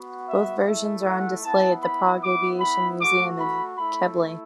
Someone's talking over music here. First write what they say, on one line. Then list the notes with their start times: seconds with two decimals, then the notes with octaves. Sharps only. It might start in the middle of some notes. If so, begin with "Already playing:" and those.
Both versions are on display at the Prague Aviation museum in Kbely.
Already playing: B3 F#4
0.28 E5
0.67 A3 E4 E5
1.05 F#5
1.44 B3 E4 A5
1.83 B5
2.23 B3 E4 D6
2.60 B5
3.00 A3 F#4 D6
3.38 B5
3.77 A3 E4 B5